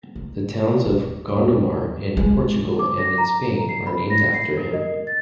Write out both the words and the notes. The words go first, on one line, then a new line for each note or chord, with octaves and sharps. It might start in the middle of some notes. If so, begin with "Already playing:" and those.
The towns of Gondomar in Portugal and in Spain are named after him.
D#3
D#2
G#3
D6
A#6
A#5
C7
B5
A#6
C7
A#4
D#5
A6